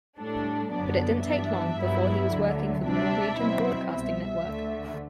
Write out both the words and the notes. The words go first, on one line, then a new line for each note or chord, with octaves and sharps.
But it didn't take long before he was working for the Norwegian broadcasting network.
A2 G3 D4 A4
F#2 D3 F#3 B3 D4 D5
G2 E3 B3 D4 E5
G2 F#3 B3 E4
D2 D3 F#3
C3 G3 D4 E5
B2 F#3 C4 E4
C2 B2 G3 E5
D2 D3 A3